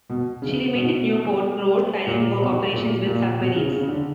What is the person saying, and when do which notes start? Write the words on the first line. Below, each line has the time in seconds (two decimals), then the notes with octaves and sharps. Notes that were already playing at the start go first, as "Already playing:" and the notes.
She remained at Newport, Rhode Island, for operations with submarines.
0.09 B2
0.42 C#3
0.75 B2
2.07 A#2
2.41 B2
2.73 A#2
3.06 A#2
3.39 B2
3.55 C#3
3.72 C#3
3.88 D3